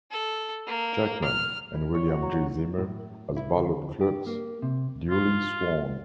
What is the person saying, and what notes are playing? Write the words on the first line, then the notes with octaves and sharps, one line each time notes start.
Jackman and William G. Ziemer as ballot clerks, duly sworn.
A4
A#3
F6
E4
C#5
F#4
F#3
F#4
A2
E4
D2
G4
A#3
C3
F4